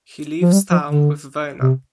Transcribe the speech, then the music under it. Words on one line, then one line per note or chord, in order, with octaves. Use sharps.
He leaves town with Verna.
F3
G3
F3
D3
C3